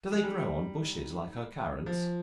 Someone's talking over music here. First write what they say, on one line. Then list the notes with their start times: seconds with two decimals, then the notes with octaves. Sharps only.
Do they grow on bushes like our Currants?
0.12 G#3
0.23 G3 D#4
1.79 G4
1.86 F3 F4